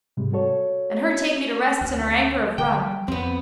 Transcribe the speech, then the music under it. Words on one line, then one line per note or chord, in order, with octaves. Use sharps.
And her take me to rests and her anker of rum.
G#2 C3 G3 G#3
F#4 A4 C#5
D2
D3 G5
G3
F2 B3 C4